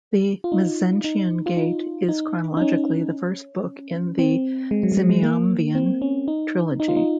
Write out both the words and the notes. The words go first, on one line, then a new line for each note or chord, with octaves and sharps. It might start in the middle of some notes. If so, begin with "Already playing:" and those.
"The Mezentian Gate" is chronologically the first book in the Zimiamvian Trilogy.
F4
D#4
D#4
F4
D#4
D#4
D#4
C#4
C4
G#3
F#3
G#3
F#3
G#3
A#3
C4
C#4
D#4
D#4
F4
D#4